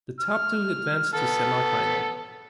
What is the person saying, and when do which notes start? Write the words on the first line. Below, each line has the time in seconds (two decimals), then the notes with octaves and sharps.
The top two advanced to semifinal.
0.20 F6
1.14 B3 A4